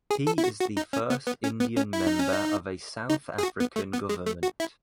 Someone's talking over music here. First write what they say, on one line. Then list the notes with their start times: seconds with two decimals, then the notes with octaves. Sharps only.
He is the first Indian member of a South African government.
0.11 G#4
0.27 A4
0.38 E4
0.44 F#4
0.60 F#4
0.77 D#4
0.93 C#4
1.10 B3
1.27 B3
1.44 C#4
1.60 B3
1.77 C#4
1.93 E4
2.07 D#4
2.19 C#4
2.33 D#4
3.10 D#4
3.38 G#4
3.43 F#4
3.60 B3
3.76 A3
3.93 B3
4.09 G#3
4.26 A3
4.43 F#4
4.60 E4